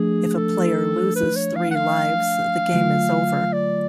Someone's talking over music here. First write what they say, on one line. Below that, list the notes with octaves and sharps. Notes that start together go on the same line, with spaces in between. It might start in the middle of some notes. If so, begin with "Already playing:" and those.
If a player loses three lives the game is over.
Already playing: F3 A3 D4 G#4
A4
B4
C#5
F5
F#5
F5
D3 F#3 A3 F4
D5